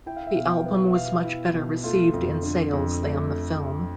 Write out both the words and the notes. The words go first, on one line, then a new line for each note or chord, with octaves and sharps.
The album was much better received in sales than the film.
E4 G5
F5
E5
B2 F5
G5
B3
E5
B2 F5
E4
B2
A3 F4
F2
D3
F2
A3